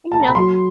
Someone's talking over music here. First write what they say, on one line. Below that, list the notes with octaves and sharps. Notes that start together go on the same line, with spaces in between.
You know
A5
A#5
B5
F#3 C6